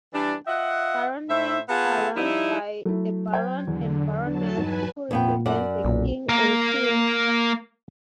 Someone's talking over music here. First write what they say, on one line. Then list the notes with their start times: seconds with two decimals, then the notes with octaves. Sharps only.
Baronies are run by a baron and baroness, who represent the king and queen.
0.13 E3 G3 D4
0.47 F4 D#5 E5 F#5
1.29 A2 C5 E5
1.69 B3 F4 G#4 F#5 A5
2.15 F3 G3 D#4 E4
2.85 F#3 A3 E4
3.32 C5 G5 G#6
3.67 E2 D3
4.27 F#3 D4 A5
4.58 G2 D#4 B4 G#5
5.11 F2 A#2 B3 G5
5.46 F#2 D5 F#5
5.85 B1 A#2
6.29 A#3 A#4